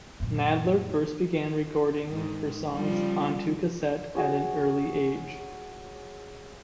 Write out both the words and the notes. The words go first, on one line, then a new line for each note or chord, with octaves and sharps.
Nadler first began recording her songs onto cassette at an early age.
F#2 A#2
G#2 D#3
C#3 F3 G3
F#4 G#4 C#5